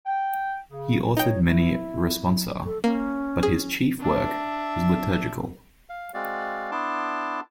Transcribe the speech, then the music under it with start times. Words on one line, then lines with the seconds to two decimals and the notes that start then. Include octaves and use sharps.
He authored many "Responsa," but his chief work was liturgical.
0.07 G5
0.71 C#3
1.17 D#4 C#5 G5
1.46 E4
2.66 A4
2.84 A#3 C#4
3.43 G#4
4.00 D4 E5
5.89 F5
6.14 G#3 C4 F#4 D5 F5
6.71 B3 D4 E4 A5 C6 D6